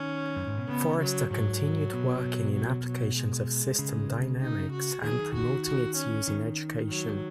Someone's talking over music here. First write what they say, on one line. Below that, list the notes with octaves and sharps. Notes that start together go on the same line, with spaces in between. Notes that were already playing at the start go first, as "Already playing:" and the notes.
Forrester continued working in applications of system dynamics and promoting its use in education.
Already playing: D#3 C#4
F#2
G#2
B2
C#3 B3
F#3
G#2 F#3
B2
F#3
F#3
G#3
C#3
D#4
F#4
D#3 G#4
F#3
D#3
F#4
F#4
C#4
D#3
F#3